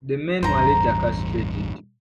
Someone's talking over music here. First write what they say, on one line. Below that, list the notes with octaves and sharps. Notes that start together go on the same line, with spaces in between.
The men were later castrated.
A1 E2 G2 C5 A#5